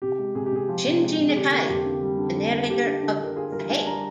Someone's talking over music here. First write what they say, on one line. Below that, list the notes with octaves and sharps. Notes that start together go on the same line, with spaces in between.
Shinji Nakae the narrator of the Hey!
C3 G4
G#3
C3 G#4
G4
C3 G#4
F3
C3
G#3
C3
G#4
D3 G4
A#3
F2 G4
D3
G3
D3
D3
A#3
D3 G4
D4
D3
D3 A#4
F4 G#4
G3 A#4
D4 G#5
G3 A#5